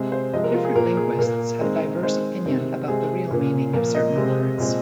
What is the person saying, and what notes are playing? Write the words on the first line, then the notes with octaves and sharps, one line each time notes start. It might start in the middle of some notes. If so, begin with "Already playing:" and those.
Different linguists have diverse opinion about the real meaning of certain words.
Already playing: C3 G#3 C4 G#4
C5
C3 F3 G#3 C4 D#5
A#4
F4
G#4
A#2 A#3 A#4
G#4
A#2 A#3 A#4
D#3 G#3 C4
D#3 G#3 C4 C5
C3 D#3 G#3 C4
C3 G#3 C4 G#4
A#2 A#3
A#2 F3 A#3 A#4
D#5
C3 G#3 C4
A#2 G#3 C4